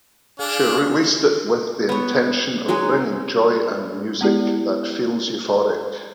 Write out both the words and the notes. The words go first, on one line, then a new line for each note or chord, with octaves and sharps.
She released it with the intention of bringing "joy" and music that "feels euphoric".
D4 G#4 F5
B3 C#5
F#3 G#3 D#4 G#4
G#3 B3 E4 G4 D5